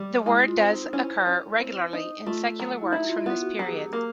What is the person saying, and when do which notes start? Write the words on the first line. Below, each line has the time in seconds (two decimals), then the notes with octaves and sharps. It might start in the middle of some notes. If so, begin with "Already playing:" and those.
The word does occur regularly in secular works from this period.
Already playing: G3
0.26 G#3 E4
0.48 F4
0.59 C4
0.70 D#4
0.84 D#4
0.93 C#4 E4
1.26 C#4
1.60 C4
1.93 D#4
2.26 A3 F4
2.60 F#3
2.82 E4
2.92 D#4 E4
3.09 F4
3.26 B3 F4
3.43 F#4
3.59 F#3 G4
3.67 G#4
3.74 G4
3.93 A#3